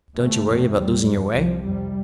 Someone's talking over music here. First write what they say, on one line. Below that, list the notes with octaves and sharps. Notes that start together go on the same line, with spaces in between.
"Don't you worry about losing your way?"
D2 C3 A3
F2 C3
E2 C3 G3
F2 C3
C2 C3 F3
F2 C3 G3